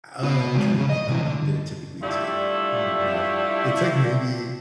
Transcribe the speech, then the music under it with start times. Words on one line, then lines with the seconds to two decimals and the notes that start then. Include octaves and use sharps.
um, I'm trying to think how long did it typically take. Oh gosh, it took maybe,
0.23 B3 F#4
0.55 D#3 G#3
0.78 C#3
0.90 D#5
1.08 C3 E3
1.22 D3
2.02 G3 A3 D4 E4 F4